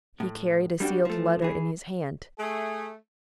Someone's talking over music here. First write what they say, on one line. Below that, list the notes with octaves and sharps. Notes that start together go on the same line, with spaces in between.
He carried a sealed letter in his hand.
A2
G3 D4 E4 F#4 G4
F3 A3
E3 G#4
A3 G#4